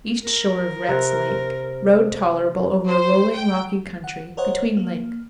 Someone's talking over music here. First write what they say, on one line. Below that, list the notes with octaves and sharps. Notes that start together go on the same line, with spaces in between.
East shore of Rhett's Lake.--Road tolerable over a rolling, rocky country, between lakes.
A#4
C3 A#5 F#6
C5
G5
F#5
A#4 C5 C#5 D#5 F#5
A#3